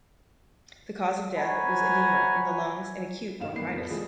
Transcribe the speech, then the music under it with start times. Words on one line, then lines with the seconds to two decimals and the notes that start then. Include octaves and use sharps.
The cause of death was edema in the lungs and acute bronchitis.
1.38 C5 C#5 F#5 G#5 A#5 B5
3.40 B1 G2 F5 E7
3.54 G#1 D#3 E3 A#3 B3 C7
3.71 F2 F3 B4
3.90 F3 G3 G#3 E4 G#4